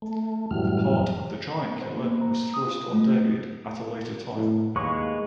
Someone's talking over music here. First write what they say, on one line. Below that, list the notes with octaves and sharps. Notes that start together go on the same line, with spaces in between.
The part of the giant-killer was thrust on David at a later time.
A3
F#2 A2 E3 F#3 G3 F6
C5
A#3
A#5
D#6
F4
A3
A2
D#2 G#3 A#3 B4 C#6